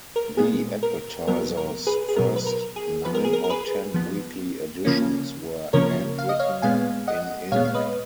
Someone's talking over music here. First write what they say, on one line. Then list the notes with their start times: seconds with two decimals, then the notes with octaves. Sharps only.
The "Advertiser"'s first nine or ten weekly editions were handwritten in ink.
0.16 A#4
0.37 A#2 G#3 B3 G#4
0.83 A#4
1.27 B2 F#3 B3 A#4
1.57 A#4
1.87 G#4 B4
2.08 G#4
2.16 B2 F#3 B3 A#4
2.36 B4
2.47 A#4
2.76 G#4
3.05 F3 B3 B4
3.15 A#4
3.24 G#4
3.33 A#4
3.44 A#4
3.50 G#4 B4
3.94 F3 B3
4.85 C#3 F3 A#3 C#4
5.73 C#3 F3 A#3 C#4 A#4 C#5
6.18 F5
6.29 D#5
6.39 C#5 F5
6.62 A#2 G#3 B3 F5 G#5
7.07 D#5 F#5
7.52 A#2 G#3 B3 C#5 F5
7.65 F5
7.74 B4 D#5